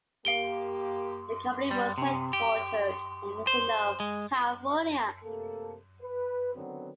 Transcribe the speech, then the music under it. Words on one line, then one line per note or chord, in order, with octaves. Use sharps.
The company was headquartered in Encino, California.
A#3 G4 F5 D7 G7
G3
C3
G4
C5
G#3
C3 A3 A#3 A4
B4
D3 D#3 F#3 B3 C4